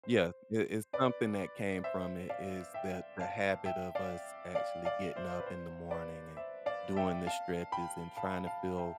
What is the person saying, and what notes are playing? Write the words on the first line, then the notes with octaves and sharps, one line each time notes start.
Yeah, i it's something that came from it is that the habit of us actually getting up in the morning and doing the stretches and trying to feel
C5
B4 D5
C5 E5
D5 F5
E5 G5
F5 A5
E5 G5
D5 F5
D5 F5
D5 F5
C5 E5
B4
C5
B4 D5
C5 E5
D5 F5
E5 G5
F5 A5
G5 B5
F5 A5
F5 A5
E5 G5